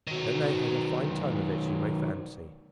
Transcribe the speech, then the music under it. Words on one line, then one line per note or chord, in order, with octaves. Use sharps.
Then they had a fine time of it, you may fancy.
D#3 F#3